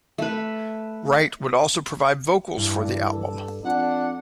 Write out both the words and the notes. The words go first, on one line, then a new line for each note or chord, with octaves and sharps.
Wright would also provide vocals for the album.
A3 B4
G2 E3
A4
F2 D4 F#5